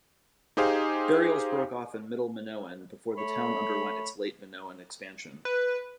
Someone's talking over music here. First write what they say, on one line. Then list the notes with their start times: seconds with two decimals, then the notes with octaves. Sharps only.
Burials broke off in Middle Minoan, before the town underwent its Late Minoan expansion.
0.57 D#4 G4 G#4 C5 F5
3.17 A3 C#5 B5
5.45 B4